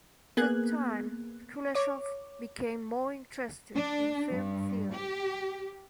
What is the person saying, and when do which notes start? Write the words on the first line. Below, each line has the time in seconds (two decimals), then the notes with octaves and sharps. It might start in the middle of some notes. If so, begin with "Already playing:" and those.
With time Kuleshov became more interested in film theory.
0.37 A#3 B3 G#4 F#6 G#6
1.75 C#5 D6
3.74 D4
4.30 G2
4.93 G4